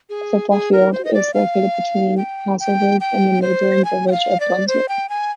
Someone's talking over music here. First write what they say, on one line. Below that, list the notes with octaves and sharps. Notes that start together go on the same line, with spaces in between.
A football field is located between Hazlerigg and the neighbouring village of Brunswick.
G#4
G#4
A#4
C5
D#5
D5
F5
G5
G5
G5
C5
G#5
G5
F5
D5
C5
G5
G#5